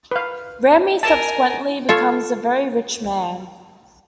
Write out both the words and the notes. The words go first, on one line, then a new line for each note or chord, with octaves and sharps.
Ramey subsequently becomes a very rich man.
B4 F5
A#4 G#5 A5
F4 A4 C#5